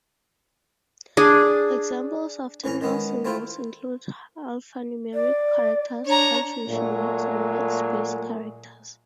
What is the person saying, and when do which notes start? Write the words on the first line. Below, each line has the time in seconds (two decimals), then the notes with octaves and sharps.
Examples of terminal symbols include alphanumeric characters, punctuation marks, and whitespace characters.
1.17 D4 G#4
2.64 A2 E3 C#4 A#5
2.81 D#3 G#3 B3 C#4
3.25 A3 C4 E4 F4 C5
5.14 D5
6.06 D4 C#5 A#5
6.68 A#2 F#3 G#3 A3